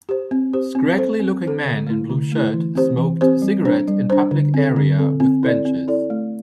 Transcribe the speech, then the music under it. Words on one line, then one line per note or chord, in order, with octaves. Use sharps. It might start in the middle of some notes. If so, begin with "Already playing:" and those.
Scraggly looking man in blue shirt smoked cigarette in public area with benches.
G4 C5
C4
G4 C5
C4
A4 C5
C4
A4 C5
D3
A3 E4
D3
A3 E4
E3
C4 G4 C5
E3
C4 G4 C5
G3
D4 C5
G3
D4 C5
D3
C4 A4
D3
C4 A4
C4
E4 A4 D5
C4
E4 A4 D5
A3